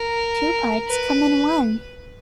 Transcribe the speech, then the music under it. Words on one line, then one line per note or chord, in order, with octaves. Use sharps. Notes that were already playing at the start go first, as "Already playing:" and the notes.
Two parts come in one.
Already playing: A#4
B4